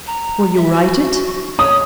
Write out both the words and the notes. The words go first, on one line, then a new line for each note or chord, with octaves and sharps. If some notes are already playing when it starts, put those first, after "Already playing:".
"Will you write it?"
A#5
E5
F#4
C#5 D#6